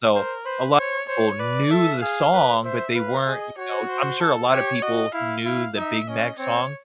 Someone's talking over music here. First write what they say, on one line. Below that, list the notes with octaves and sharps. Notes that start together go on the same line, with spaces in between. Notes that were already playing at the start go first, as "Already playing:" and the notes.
So, a lot of people knew the song, but they weren't, you know I'm sure a lot of people knew the Big Mac song,
A#4 C5
B4 C5
C5 C#5
C5 C#5
B4 D5
A4 E5
G#4 F5
B4
C5 E5
B4 F5
G#4 D#5
F#4 C#5
C5
A4
G4 C#5
F#4 D#5
E4 F5
E4 F5
D#4 E5
C#4 D#5
C4 C#5